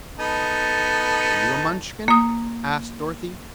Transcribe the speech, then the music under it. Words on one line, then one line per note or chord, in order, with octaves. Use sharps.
"Are you a Munchkin?" asked Dorothy.
B3 D#4 A4
A#3 D#6